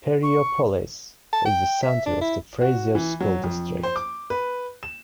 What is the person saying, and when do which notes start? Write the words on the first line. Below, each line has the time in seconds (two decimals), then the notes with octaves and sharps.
Perryopolis is the center of the Frazier School District.
0.23 C#6
1.33 A5
1.46 G5
1.83 E5
2.06 D4
2.21 E4
2.61 F#4
2.95 E3
3.20 F#3
3.44 F2
3.83 C5
3.96 D6
4.30 B4
4.83 E7